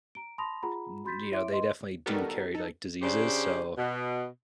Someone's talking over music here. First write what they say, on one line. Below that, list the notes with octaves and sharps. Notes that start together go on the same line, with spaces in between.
yo you know, they definitely do carry, like, diseases, so,
A#5 D7
A5 B5 C6 D#6 A#6 F7
F4 G#4 F#5 A#5 B5
F#4 B5 C6 G6 A6 B6
E4 C#5 E5 C6 D6 D7
B4 D#5 C6
D#3 G3 B3 F#4 A4 A#4
D#4 A4
C#3 D4 G4 C5
B2